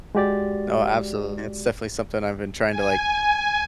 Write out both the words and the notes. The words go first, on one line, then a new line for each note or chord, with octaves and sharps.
No, absolutely, it's definitely something I've been trying to, like,
G#3 F#4 G4 D5 A6
G#5